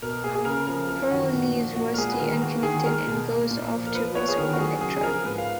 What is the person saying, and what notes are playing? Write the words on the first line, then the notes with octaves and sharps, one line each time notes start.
Pearl leaves Rusty unconnected and goes off to race with Electra.
B2 A#4
A#3 G#4
G#4
C#3 A#4
F3 A#4
F#2 A#4
D#3 F#4
A#2
F3
A#2 F#4
A#4
G#3 G#4
B4
D#3 A#4
A#3 F#4
D#3 G#4
G#3 A#4
B2
A#3
A#2
F3
A#4
F3 B4
B3 C#5
G#4
D#3 A#4
F#4
F#3 G#4
C#3 G#4
G#4
F3 A#4
G#2 B4
F5